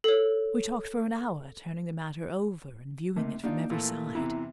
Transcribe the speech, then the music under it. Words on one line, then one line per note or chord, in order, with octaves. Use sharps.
We talked for an hour, turning the matter over and viewing it from every side.
A4 C#5
C3 A3 A#3 D#4
A#3 D4 D#4 F4 G4
A#2 E3 A3
E2 C3 E3 E4 A5 A#5